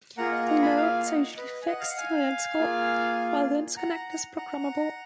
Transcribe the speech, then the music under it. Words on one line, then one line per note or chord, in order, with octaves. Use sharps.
The nodes are usually fixed and identical, while the interconnect is programmable.
A#3 F4 G#4 F#5 A#5
D#5 F#5
F#5 A#5
G#5 B5
F5 G#5
D#5 F#5
B4 D#5
G#5
D#5 F#5
F5
F#5
F5 G#5
A#3 F4 G#4
F#5 A#5
F#5 A#5